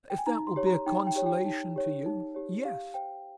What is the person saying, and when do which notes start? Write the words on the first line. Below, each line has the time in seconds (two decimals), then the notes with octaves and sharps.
"If that will be a consolation to you, yes."
0.10 G5
0.18 G#5
0.26 D#4 A#5
0.47 C6
0.56 G4 C#5
0.67 A#5
0.86 D#4 G5
1.07 G5
1.16 G4 C#5
1.26 G5
1.45 D#4
1.76 G4 C#5
2.06 D#4
2.35 G4 C#5
2.65 G4 F5
2.94 C5 G5